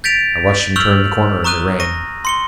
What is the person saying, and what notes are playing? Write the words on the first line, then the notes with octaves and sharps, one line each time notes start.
I watched him turn the corner in the rain.
G6 A6 B6 D7 F7
C#6 E6 F6 G6 F7 F#7
A#5 C#6 D#6 F#6 D#7
C#6 A#6 D#7
C6 C#7 G7